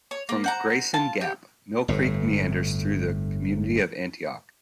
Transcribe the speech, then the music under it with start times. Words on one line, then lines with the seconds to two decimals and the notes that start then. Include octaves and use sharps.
From Grayson Gap, Mill Creek meanders through the community of Antioch.
0.11 C#5
0.29 A#3
0.44 C5 F#5 A#5
0.94 F4 A5
1.21 G4
1.88 G1 A2